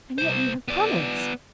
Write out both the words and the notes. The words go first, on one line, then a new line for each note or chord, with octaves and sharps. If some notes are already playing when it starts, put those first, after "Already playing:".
"And yet you have promised?"
C2 C5
B3 D5